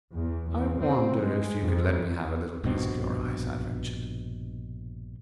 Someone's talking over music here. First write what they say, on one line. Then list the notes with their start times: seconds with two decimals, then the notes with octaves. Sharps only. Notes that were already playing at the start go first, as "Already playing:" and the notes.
"I wonder if you could let me have a little piece of your ice," I ventured.
0.15 E2
0.51 E2
0.82 C4
1.17 G#3
1.61 F2
2.64 A#1 G2 B2 C4